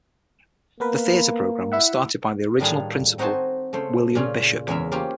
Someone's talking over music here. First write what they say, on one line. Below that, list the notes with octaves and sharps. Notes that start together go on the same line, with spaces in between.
The theatre program was started by the original principal William Bishop.
A#3 B3 A#4 B4
E4 E5 F#5
A2 D#3 G3 D4 G#4 F5
C4 D#4 F#4 C5 G#5 A5
C#3 A3 C5
A#2 C#3 C#4 F4
E2 C#3 G#3 A#3 A#4 E5
A#3 C#4 F4 G4 C5